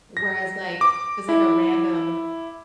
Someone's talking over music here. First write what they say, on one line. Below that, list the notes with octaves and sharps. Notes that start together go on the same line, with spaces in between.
Whereas like, it's like a random
A#6
D6
E4